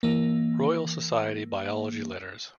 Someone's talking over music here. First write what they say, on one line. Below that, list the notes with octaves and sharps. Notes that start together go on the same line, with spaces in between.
Royal Society Biology Letters.
E3 A#3